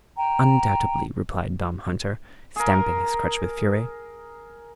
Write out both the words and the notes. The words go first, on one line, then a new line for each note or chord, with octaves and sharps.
"Undoubtedly," replied Tom Hunter, stamping his crutch with fury.
G5 A#5
G#4 A#4